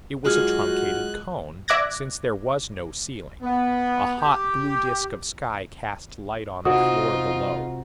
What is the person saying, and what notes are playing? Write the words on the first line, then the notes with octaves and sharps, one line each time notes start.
It was a truncated cone, since there was no ceiling; a hot blue disk of sky cast light on the floor below.
F#3 G#3 F4 F#4 F6 F#6 G#6
D5 E5 D6 F#6 G#6 A#6
B3
G4
C3 D#4 F4 F#4 D#6